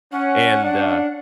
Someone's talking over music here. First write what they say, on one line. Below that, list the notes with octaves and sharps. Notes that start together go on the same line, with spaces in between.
and, uh
C#4 F#5
D4